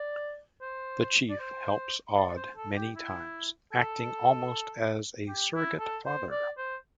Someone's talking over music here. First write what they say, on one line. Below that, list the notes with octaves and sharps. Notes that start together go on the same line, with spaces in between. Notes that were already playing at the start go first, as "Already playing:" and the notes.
The Chief helps Odd many times, acting almost as a surrogate father.
Already playing: D5
C5
D5
C5
D5
D5
C5
A4
G4
E4
A4
G4
E4
A4
C5
D5
C5